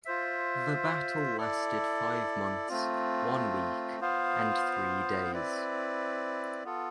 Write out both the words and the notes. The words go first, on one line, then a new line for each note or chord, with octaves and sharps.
The battle lasted five months, one week, and three days.
F4 C5 E5
E4 A4 D5
A3 C4 F4
B3 F4 C5 F5
C4 E4 B4 D5
B3 F4 A4